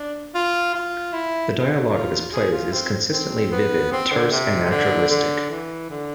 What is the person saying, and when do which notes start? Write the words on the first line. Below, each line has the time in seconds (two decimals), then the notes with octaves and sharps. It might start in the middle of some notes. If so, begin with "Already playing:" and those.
The dialogue of his plays is consistently vivid, terse, and naturalistic.
Already playing: D4
0.35 F4
0.74 F4
1.13 E4
1.92 F4
2.33 G#4
2.52 F4
2.73 C4
3.11 C4
3.52 B3
3.92 C4
4.11 D3
4.31 C3
4.65 C3
4.70 D3
5.10 D3
5.50 E3
5.90 D3